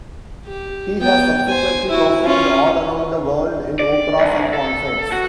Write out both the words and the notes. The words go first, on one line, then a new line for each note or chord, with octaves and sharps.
He has subsequently performed all around the world in operas and concerts.
G4
B3 G5
C5 G#5
E4 F#4
C#4 F4
D5
C2
A4
F#4